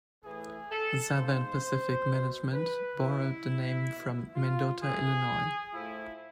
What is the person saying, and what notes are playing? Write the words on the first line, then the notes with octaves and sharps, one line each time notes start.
Southern Pacific management borrowed the name from Mendota, Illinois.
A2 E3 G#4
A4
G#2 F3 C5
B2
B4
B2 E4
B2
F4
A2 E3 G#4
A2 F3 E4